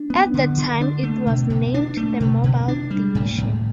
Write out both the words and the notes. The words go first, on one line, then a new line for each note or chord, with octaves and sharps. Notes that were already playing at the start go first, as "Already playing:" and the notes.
At the time, it was named The Mobile Division.
Already playing: D4
B3
D3
D3
D4
A3
B2
B2
D4
A3
B2
B2
D4
G3
A2
A2